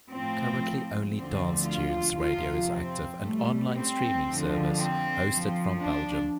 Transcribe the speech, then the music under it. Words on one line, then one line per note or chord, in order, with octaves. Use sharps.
Currently only Dance-Tunes Radio is active, an online streaming service hosted from Belgium.
A2 F3 C4
D2 D3 F3 C4
F4
F2 C3 F3 F4
C4
A2 G3 A3
C4
F2 D3 F3
C4
F2 F3
D4